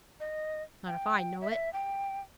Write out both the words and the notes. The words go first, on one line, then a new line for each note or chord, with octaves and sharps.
Not if I know it.'
D#5
G5
E5
G5